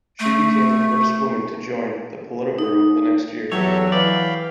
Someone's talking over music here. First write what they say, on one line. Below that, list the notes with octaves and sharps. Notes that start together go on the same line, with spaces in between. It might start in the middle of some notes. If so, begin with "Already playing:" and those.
She became the first woman to join the Politburo the next year.
A3
D#4
E2 F#3 G4 A4 C#5 E5
E3 D5 F5 G5 B5